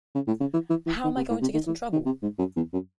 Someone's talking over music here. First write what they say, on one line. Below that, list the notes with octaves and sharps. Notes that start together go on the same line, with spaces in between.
How am I going to get in trouble?
C#3
A2
C#3
E3
E3
E3
D#3
C3
A2
C3
D#3
E3
D#3
C3
G#2
F#2
E2
F#2